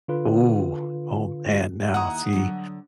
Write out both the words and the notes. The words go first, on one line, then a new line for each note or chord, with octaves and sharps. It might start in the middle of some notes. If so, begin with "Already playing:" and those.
Ooh, oh man, now, see
D3 F4 B4
D#2 E4 F#5 A#5 D#6
D3 F#3